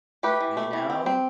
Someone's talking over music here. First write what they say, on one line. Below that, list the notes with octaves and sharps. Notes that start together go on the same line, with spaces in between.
You know?
A3 G4 B4
E3
A3
E3
C4
C4